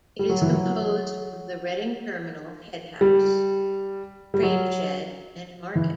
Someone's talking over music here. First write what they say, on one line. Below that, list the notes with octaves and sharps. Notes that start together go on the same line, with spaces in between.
It is composed of the Reading Terminal Headhouse, Trainshed, and Market.
G3
F#3
E3
F#3
G3
G3
F#3
E3